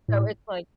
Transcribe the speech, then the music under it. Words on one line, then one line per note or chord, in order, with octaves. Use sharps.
So, it's like
A2